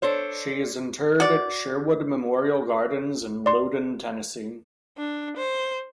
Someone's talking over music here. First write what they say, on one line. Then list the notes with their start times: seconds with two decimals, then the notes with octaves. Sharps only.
She is interred at Sherwood Memorial Gardens, in Loudon, Tennessee.
0.02 D4 A4 C5 C#5
1.20 F#4 D5
3.46 D5 C6
4.97 D4
5.37 C5